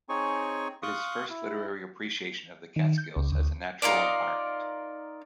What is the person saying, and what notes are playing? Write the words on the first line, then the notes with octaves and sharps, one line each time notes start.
It is the first literary appreciation of the Catskills as a natural environment.
C4 D#4 G#4 C#5 G#5 C#6
F5 C6 C#6 D#6 F#6
E4
D#3
G6
C#2
D2
D#4 F4 A#4 D5